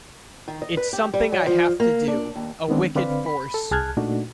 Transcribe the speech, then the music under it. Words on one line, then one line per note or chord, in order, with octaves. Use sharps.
It's something I have to do - a wicked force.
D#3
D#5
B4
G4
G3
F#3
F3
A#3
D4
D#2
D#3 G#3 B3 C4 D4
D3 C4 B4 D5 F5 B5
B5
A4
C2 G#4 A5 F6 F#6 G#6
A#2 A3 D4 D#4 F#4